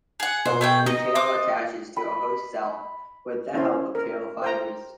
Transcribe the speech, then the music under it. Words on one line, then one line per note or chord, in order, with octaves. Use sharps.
The tail attaches to a host cell with the help of tail fibres.
G#4 F#5
B2 C5
A3 G#4 G5
D#4 D#5
C4 D6
B5
C#4 E4 C5
A#4
C5 G5 A#5